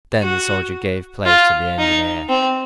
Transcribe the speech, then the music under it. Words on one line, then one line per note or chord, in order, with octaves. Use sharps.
Then the soldier gave place to the engineer.
F#4
F4
D#4
C4